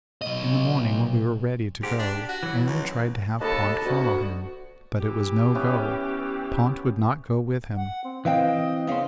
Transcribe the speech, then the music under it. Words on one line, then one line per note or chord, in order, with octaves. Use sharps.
In the morning when we were ready to go Am tried to have Pont follow him, but it was no go, Pont would not go with him.
B1 D#5
G#2 G4
D4
F#4
E3 F#3
C#2
D#2 A4 B4 D#5 A5
D2 F#4
E3 G4
B3 C#4 E5
F#5
C4
E3 C4 B4 D#5 F5 G5
C#3 B3 C#4 C5 D#5 F5